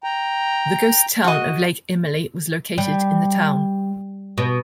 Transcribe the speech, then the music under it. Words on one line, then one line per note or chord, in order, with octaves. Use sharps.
The ghost town of Lake Emily was located in the town.
G5 A#5
F#4 D#5
G3
B2